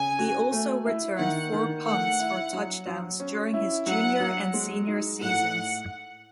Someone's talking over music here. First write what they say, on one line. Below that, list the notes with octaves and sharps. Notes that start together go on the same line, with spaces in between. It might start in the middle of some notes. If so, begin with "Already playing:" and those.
He also returned four punts for touchdowns during his junior and senior seasons.
Already playing: C#3 G#5
F#4
A3
E4
D#3 F#5
D#3
A3 F#5
E4
F#3
F#3
C#4
E4
F#3 F#5
F#3
G#3
D#4
A2 F#5